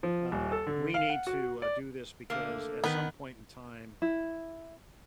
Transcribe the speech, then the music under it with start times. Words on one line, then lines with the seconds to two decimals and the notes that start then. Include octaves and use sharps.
uh, we need to, uh, do this because at some point in time,
0.03 F3
0.32 D#1
0.52 A4
0.67 D3
0.94 F5
1.10 F#5
1.27 F#4
1.62 D5
2.30 D3 A3 A#3
2.84 D#3 B3 B4
4.02 E4